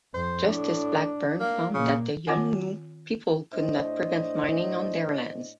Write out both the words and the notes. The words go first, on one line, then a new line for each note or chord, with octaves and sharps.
Justice Blackburn found that the Yolngu people could not prevent mining on their lands.
F2 C5
A2 D4
A#3
A#2 C#3 A#3
D#3 C4 F4 C#5 F#5 G#5
A2 D4 C5 D#5